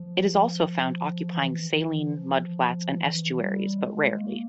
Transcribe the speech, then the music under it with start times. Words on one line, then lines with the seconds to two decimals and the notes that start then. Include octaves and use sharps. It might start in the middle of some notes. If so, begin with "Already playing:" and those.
It is also found occupying saline mudflats and estuaries, but rarely.
Already playing: F3
1.29 E3
1.70 E3
2.11 F3
2.94 E3
3.36 G3
3.76 G#3
4.17 A#3